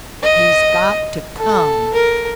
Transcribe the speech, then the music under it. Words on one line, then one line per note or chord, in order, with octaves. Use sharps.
"He's got to come!"
D#5
A4
A#4